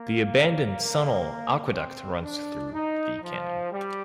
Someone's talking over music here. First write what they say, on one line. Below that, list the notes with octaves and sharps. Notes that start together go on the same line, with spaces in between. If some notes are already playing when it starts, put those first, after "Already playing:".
The abandoned Sunol Aqueduct runs through the canyon.
Already playing: A#3
C4
D4
D#4
F3
G3